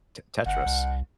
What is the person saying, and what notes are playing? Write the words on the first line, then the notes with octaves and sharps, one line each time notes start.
T Tetris,
G1 F#5
C2